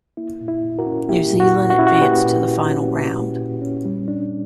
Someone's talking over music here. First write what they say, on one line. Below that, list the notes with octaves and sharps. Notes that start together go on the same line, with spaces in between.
New Zealand advanced to the final round.
A#3 E4
A#2
E4
A#2
F#4 A#4
C#4
A#3 E4 G4
A#2
F#4
A#2
F#4
C#4 E4
F#4
A#3 G4 B4
A#2
A#2
C#4
A#3
A#2
A#2
C#4
G3
D4